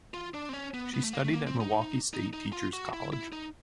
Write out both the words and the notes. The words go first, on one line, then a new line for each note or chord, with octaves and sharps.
She studied at Milwaukee State Teachers College.
F4
D4
C4
C#4
B3
B3
A3
A#3
A3
A#3
C4
D#4
D#4
D#4
F4
F#4
E4
E4
D#4